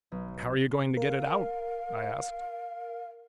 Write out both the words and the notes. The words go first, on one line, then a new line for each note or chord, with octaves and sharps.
"How are you going to get it out?" I asked.
B1
A#4 F5